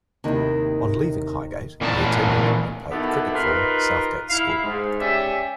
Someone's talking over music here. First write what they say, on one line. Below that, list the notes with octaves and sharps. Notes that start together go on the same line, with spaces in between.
On leaving Highgate, he attended and played cricket for Southgate School.
D#2 C3 D#3 E4
A#2 E3 B3 A#4 B4 A5
B2 D#3 B3 E4 G4 A4
D#4 F4 G4 A#4 B4
E4 F5
G#2
C#4 G4 D5 E5